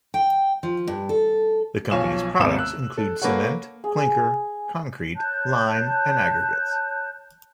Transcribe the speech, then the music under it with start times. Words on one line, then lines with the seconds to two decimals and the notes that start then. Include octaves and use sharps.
The company's products include cement, clinker, concrete, lime, and aggregates.
0.14 G5
0.63 F3
0.87 G2
1.09 A4
1.91 B1 F3 C#5 F5 G#5 E7
2.39 G#1 D#2 C3 A#3 B3 E7
2.58 E6 F#6
2.97 A4
3.22 A#3 A4 B4 C#5 F#5
3.84 G#4
5.16 C#5 A5 F#6 G6